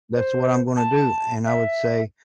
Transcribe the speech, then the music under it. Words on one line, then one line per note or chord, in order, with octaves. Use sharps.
that's what I'm gonna do," and I would say,
C5
A5
E5